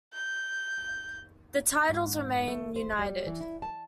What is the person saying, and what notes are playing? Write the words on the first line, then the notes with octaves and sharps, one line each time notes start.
The titles remain united.
G6
G#2
A3
C5
G3
E3
E4
A5